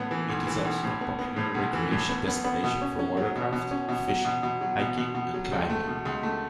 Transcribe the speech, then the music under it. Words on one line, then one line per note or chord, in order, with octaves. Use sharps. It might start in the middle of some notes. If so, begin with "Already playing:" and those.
It is also a popular recreation destination for watercraft, fishing, hiking, and climbing.
Already playing: A2 B3
E3
B1
E3
B1
A2
B3
B3
A2
B1
E3
A2
B3
B3
B3
B2
C#4
C#4
F#3
B2
B2
C#4
B2
F#3
B2
B2
F#3
B2
B2
B2
F#3
C#2
A3
B2
C#2
A3